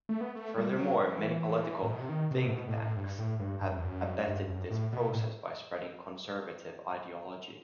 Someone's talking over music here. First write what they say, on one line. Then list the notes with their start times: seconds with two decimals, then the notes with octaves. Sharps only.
Furthermore, many political think-tanks have abetted this process by spreading conservative ideology.
0.09 A3
0.21 B3
0.35 A3
0.57 G3
0.79 F#3
1.01 E3
1.82 A2
1.92 B2
2.01 C3
2.09 D#3
2.31 C3
2.47 A2
2.53 B2
2.67 A2
2.82 A2
2.96 G2
3.18 A2
3.40 G2
3.61 G2
3.69 F#2
3.77 E2
3.85 F#2
4.27 G2
4.49 F#2
4.70 A2
4.93 B2
5.13 A2